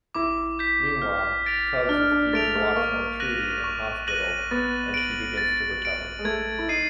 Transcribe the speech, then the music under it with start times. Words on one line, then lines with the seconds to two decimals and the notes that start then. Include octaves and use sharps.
Meanwhile, Tubbs is keeping watch on Trudy in hospital, and she begins to recover.
0.15 E4 D6
0.59 G6 B6
1.02 F6
1.46 A6 D7 F7
1.89 D4 F6
2.12 D4
2.33 A3 A6 D7 F7
2.55 A3
2.76 A#3 C#6
3.20 F#6 A#6 D#7 F#7
3.64 C#6
4.07 F#6 A#6 D#7 F#7
4.51 B3 A6
4.94 D7 F#7
5.37 A6
5.82 D7 F#7
6.19 G#3
6.25 A3 G#6
6.59 E4
6.68 D#4 C7 D#7